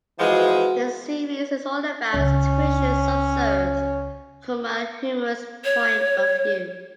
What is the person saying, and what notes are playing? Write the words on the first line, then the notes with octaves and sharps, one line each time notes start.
The series is all about situations observed from a humorous point of view.
E3 F3 G#3 F#4 B4 F#5
C#2 C#4
C#5